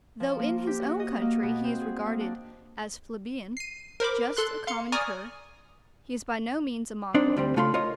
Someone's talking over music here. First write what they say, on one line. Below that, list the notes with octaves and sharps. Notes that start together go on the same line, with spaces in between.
Though in his own country he is regarded as plebeian, just a common cur, he is by no means a mongrel.
F3
A#3
G4
F#4
D#5
A#3
B2
C4
G#4
A#3
D4
C7 D#7
A#4 C5 B5 D6
A4 C6 F#6
F5 C6 C#7
D5 G#5 A#5 C#6 D#6 F6
C4 D4 D#4 C5 D5
D2 G3 C4
C#3 A3 F4 B5 C6
F4 A#4 C#5 D#5